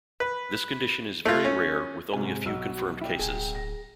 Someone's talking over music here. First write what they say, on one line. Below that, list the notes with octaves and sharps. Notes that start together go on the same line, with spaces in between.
This condition is very rare with only a few confirmed cases.
B4
A3 F4
C#4
G#2 C3 F#4 G#5
B1 F#4 D#5 E6
E4 D5 G5
D1 G#4
A#6